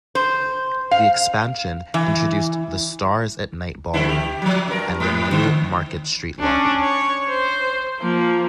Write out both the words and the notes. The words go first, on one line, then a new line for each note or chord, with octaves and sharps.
The expansion introduced the "Stars at Night" ballroom and the new Market Street lobby.
C5
F5
E3
G2 D3 E4
G4
F3 F#3
G2 A#4
G#2
D3
C#4 D4
C#5
C5
F3 A#3